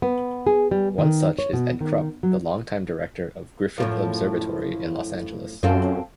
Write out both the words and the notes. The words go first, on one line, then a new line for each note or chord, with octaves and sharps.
One such is Ed Krupp the long-time director of Griffith Observatory in Los Angeles.
B3
G#4
G3
D#3
C#5
B2
D#3
F#3
F#2 A2 F3
F#2 C4 F4 A4